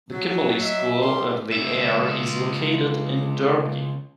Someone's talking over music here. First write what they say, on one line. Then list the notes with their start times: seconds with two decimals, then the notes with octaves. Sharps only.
The Kimberley School of the Air is located in Derby.
0.12 F#3
0.61 D#5 E5
1.02 C3 D#3 G3 A#4 C6
1.52 C#2 E5